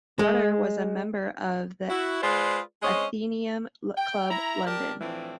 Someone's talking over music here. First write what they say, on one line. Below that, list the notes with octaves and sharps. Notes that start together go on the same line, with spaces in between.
Rutter was a member of the Athenaeum Club, London.
G#3
E4 F#4
G#3 F4 G#4 B4 C5 D5
G#3 C4 C#4 D#5
G5
E4 A#5
G4 A#4 D5 G5 A5
A2 E3 F3 C4 D4